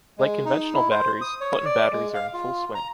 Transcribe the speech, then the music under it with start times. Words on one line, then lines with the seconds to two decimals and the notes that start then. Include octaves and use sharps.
Like conventional batteries, button batteries are in full swing.
0.18 G#3
0.45 D#4
0.74 E4
0.91 C5
1.21 D#6
1.41 C#5
1.65 D5
1.92 G#3
2.15 F5
2.33 F4
2.75 A#5